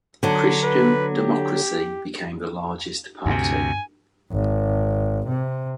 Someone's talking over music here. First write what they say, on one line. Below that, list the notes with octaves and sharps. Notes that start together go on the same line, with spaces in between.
Christian Democracy became the largest party.
D3 F#3
B4
G4
D2 G2 C3 D4 G#5
G#1
C3